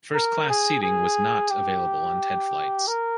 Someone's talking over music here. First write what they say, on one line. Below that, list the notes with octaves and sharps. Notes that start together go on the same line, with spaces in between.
First class seating was not available on Ted flights.
A#4
G#4
G#4
G4
A#4